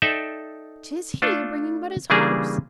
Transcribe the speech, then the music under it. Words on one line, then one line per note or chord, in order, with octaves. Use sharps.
'Tis he bringing but his horse!
D#4 A4 D5 E5 G5
A3 D4 F4 A4
C#3 E3 G3 A#3 D4 G#4